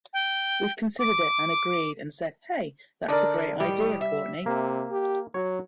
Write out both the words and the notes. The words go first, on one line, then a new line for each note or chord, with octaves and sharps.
We've considered it and agreed and said, 'Hey, that's a great idea, Courtney.
G5
D6
D3 D4 D#4 A#4 D5
A2 D#3 G3 G4
E5
C3 A#3
G4
F#3 F#4 C#5